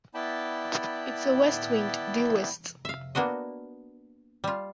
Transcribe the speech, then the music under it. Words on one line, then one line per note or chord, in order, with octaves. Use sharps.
It's a west wind, due west!
B3 E4 D5 G5 A5 B5
E5 F5
A#3 B3 D4 F#4 D#5
G3 F4